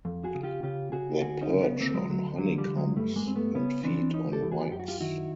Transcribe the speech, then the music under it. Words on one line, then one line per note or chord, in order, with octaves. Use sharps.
They perch on honeycombs and feed on wax.
F2
F#4 G#4
C#3
F4 G4
C#3 F4 G4
C#3 F#4 G#4
D2 F#4 G#4
C#4 D#4
C#3
B3 C#4
D2 A#3 C4
F#3 G#3
D2 F#3
D3 F#3
F3 G3
D3
F#3 G#3
G2 G3 A3
G#3 A#3
G2 C4
A3 B3
C#3 B3 C#4
E3 C4 D4
E2 C#4 D#4
G4 A4
E2
F#4 G#4
F#2 G4
F#4
F4 G4
D#3 E4 F#4